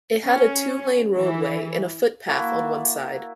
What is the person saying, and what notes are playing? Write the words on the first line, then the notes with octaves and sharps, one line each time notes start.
It had a two-lane roadway and a footpath on one side.
C#4
E3
A#3 E4 F#4 A5